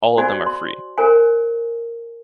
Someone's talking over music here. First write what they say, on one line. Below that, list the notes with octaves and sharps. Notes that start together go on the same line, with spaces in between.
All of them are free.
F#4 C5 D5 G#5
C6
A#4 C5 G#5